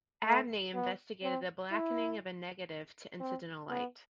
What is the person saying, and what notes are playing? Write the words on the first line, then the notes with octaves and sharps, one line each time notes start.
Abney investigated the blackening of a negative to incidental light.
A3
B3
C4
E4
C4
B3